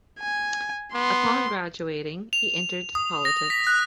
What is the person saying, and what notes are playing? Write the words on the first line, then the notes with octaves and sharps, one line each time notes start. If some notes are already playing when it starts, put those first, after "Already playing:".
Upon graduating, he entered politics.
G#5
B3 C6
F7
D#6
A#6
B6
F#6